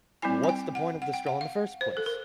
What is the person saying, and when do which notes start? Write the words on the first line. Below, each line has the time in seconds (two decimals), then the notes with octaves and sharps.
What's the point of the straw in the first place?
0.22 G3 C4 E4 G#5
0.44 G#5
0.49 G5
0.75 F#5
1.02 F#5
1.14 G5
1.27 F#5
1.41 F5
1.81 C5
1.97 A4
2.06 A#4